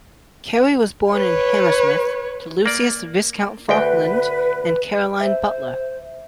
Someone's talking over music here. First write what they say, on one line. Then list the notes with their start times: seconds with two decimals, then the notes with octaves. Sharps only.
Cary was born in Hammersmith, to Lucius Viscount Falkland and Caroline Butler.
1.11 B4 C#5
2.66 A#3 D5
3.69 D2 B4 G5
5.21 C5 E5